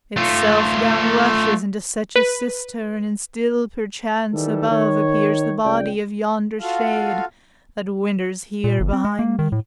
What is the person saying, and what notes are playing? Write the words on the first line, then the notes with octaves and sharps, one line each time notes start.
Itself down rushes into such a cistern; And still perchance above appears the body Of yonder shade, that winters here behind me.
A3 F4
B4
D#3 E3 G3 A4
D#3 C#5
C#2 D5 G5
F4 F#4 A4 F5
A#2
G1
C4
G#3
A#3
D#3
A2